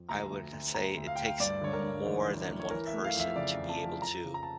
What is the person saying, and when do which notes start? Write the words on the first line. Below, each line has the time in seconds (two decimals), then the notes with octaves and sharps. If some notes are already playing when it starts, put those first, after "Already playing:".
I would say it takes more than one person to be able to,
Already playing: F2
0.09 D2 A#5
0.30 D2
0.53 D2
0.74 D2 A#5
0.97 D2
1.07 F5
1.16 D2 G5
1.26 F5
1.40 G2 D5
1.61 D3 C#5
1.73 A#4
1.84 G2
2.06 A1
2.27 A1
2.49 A1
2.60 C#5
2.70 E3 A#4
2.87 E5
2.93 A3
3.04 F5
3.15 F2
3.20 E5
3.36 C#3 D5
3.59 F2
3.69 A5
3.80 F2
4.02 F2 A#5
4.23 C#3
4.34 A#5
4.43 A5